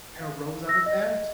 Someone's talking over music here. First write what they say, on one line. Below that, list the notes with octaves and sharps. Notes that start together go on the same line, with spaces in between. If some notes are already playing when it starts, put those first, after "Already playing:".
kinda rose out of that,
F5
E6 A#6
D#5